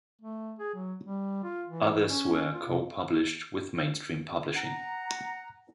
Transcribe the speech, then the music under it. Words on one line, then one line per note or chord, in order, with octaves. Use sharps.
Others were co-published with Mainstream Publishing.
A3
G#4
F#3
G3
F4
E3
C#4
F4
C3
F#5 A#5